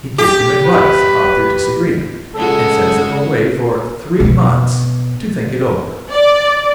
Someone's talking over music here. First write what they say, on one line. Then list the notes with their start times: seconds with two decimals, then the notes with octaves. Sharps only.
He gives them advice about their disagreement, and sends them away for three months to think it over.
0.18 G4
0.65 B4
2.34 C#3 G#3 F#4 A4
4.20 B2
6.10 D5